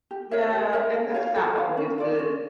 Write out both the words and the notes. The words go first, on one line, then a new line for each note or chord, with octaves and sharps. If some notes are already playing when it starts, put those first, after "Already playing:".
Yeah, and that's not always good.
G4
A#4 C#5 E5
G4
A#4 C#5 E5
A4
C#5 F5
A4
C#5 F5
C#4
F4 A4 D5
C#4